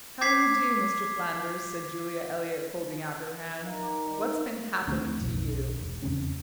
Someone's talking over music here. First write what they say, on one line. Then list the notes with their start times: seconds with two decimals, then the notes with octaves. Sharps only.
"How d'you do, Mr. Flanders," said Julia Eliot, holding out her hand. "What's been happening to you?"
0.21 D6 G#6 B6 C7
3.62 D#4 A#4 E5 F5
3.83 G4
4.06 D#3 G3
4.87 D2 D3 A3 C4
5.20 F#1 B1 F2
5.40 B1
5.81 E1
6.02 E2 C#3 C4 C#4